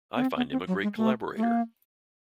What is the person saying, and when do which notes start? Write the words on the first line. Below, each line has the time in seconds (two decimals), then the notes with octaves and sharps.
I find him a great collaborator.
0.16 B3
0.22 C4
0.37 B3
0.52 C4
0.67 F#3
0.83 G#3
0.97 A3
1.37 A3
1.43 A#3